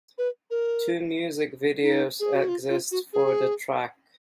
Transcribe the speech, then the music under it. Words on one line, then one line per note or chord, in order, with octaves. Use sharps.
Two music videos exist for the track.
B4
A#4
D#4
G#4
F#4
F4
F4
F#4
G#4